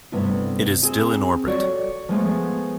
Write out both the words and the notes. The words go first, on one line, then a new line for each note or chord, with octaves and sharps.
It is still in orbit.
G2 C3 A3 B3 E4
C4 G#4 G#5
F#4 A4 C#5 D5
F3 G#3 A3 B3